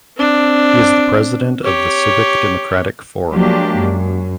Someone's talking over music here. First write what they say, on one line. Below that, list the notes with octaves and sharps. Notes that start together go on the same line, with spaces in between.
He is the president of the Civic Democratic Forum.
C4 D4
G4 C#5
F3 F#3 G#3 A#3 D4 G4
F#2